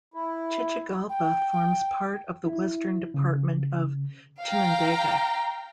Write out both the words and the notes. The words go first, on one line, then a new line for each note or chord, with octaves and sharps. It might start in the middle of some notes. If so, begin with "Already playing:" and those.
Chichigalpa forms part of the Western department of Chinandega.
E4
G5
E4
C#3
F5 G5 A#5